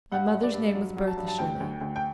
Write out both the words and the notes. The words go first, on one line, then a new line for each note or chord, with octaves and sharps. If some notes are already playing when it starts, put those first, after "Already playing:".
My mother's name was Bertha Shirley.
G2 F#5
G2
D5
G2
F#3
F#3
A5
G2
A5
D2 G5
D2
D2
G5